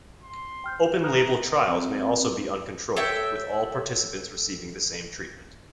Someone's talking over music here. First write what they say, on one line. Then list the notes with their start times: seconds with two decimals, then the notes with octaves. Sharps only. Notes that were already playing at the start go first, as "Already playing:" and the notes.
Open-label trials may also be uncontrolled, with all participants receiving the same treatment.
0.23 C6
0.64 G5 F6 G6
1.04 A#5 D#6 F6 F#6
1.67 C4
2.97 A4 C#5 E5 G5